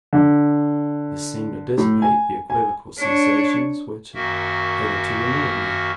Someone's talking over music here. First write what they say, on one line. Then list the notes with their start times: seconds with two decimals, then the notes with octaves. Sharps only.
This seemed to dissipate the equivocal sensations which had hitherto annoyed me.
0.13 D3
1.78 A2
2.02 G#5
2.50 G#5
2.98 D4 C#5
4.14 F#2 D#3 A#3 F#4 A#4 E5